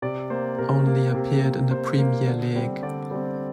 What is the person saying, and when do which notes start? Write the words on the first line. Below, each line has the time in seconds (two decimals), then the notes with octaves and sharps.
Only appeared in the Premier League.
0.02 C3 D5
0.30 A#3 C5
0.58 C3 A#4
0.87 A#3
1.14 C3
1.43 A#3
1.71 C3 C5
1.98 A#3
2.27 D3
2.55 G3 C4
2.82 D3 D5
3.11 G3 C4